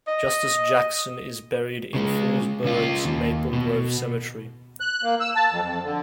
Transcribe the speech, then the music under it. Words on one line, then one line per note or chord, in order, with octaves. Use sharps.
Justice Jackson is buried in Frewsburg's Maple Grove cemetery.
D#5
C#3 G#3
C#3 F4
D#2
B2
F#6
A#3
E6
A5
F2
F2
D3